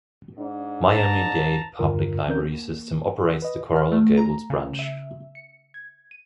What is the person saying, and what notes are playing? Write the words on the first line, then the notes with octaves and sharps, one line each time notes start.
Miami-Dade Public Library System operates the Coral Gables Branch.
G#2 D4
A5 A#5
E2 G2 D3 F4 A#4
E3 C4 C#4 A#4 G6
A#3
B4 D#5
F6
A3
A#5
C#3
E5
C#7
G#6
D#7